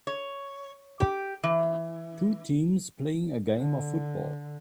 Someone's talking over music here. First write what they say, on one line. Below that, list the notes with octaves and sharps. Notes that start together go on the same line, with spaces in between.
Two teams playing a game of football.
C#5
G4
E3
D3